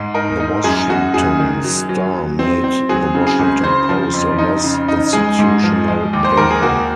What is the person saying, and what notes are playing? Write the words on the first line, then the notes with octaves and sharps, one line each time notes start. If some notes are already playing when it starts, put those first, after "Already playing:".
The Washington Star made The Washington Post a less institutional paper.
Already playing: G#2 G#3
D#4 A#4
D#4
F#2 G#4
F#2 F#4
F#2 G#4
D#3
F#3
F#3
F#3
C4
C4
F#3 G#4
C#3
G#4
C#2
C#3 C5
F3
F2
D#4
C#3
D#4
G#3 G#4
G#2
F3
G#3
D#2
C5
D#2 A#4
G#4
A#3 F#4